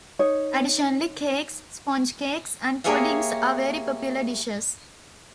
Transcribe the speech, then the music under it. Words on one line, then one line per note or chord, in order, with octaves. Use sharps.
Additionally, cakes, sponge cakes, and puddings are very popular dishes.
D#4 C#5
A#3 G4 G#4 C#5 E5 F5